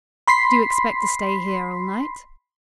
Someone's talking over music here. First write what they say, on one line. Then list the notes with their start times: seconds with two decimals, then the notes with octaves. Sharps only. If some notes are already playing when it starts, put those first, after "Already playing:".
"Do you expect to stay here all night?"
0.28 B5 C6 B6 C7